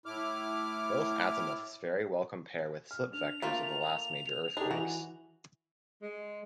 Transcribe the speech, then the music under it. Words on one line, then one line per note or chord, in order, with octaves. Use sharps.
Both azimuths very well compare with slip vectors of the last major earthquakes.
A2 E4 D6 F6
F6
D4 F7
A3 A#3 F4
D4 D#4 G4 G#4
E3 F#4
G#3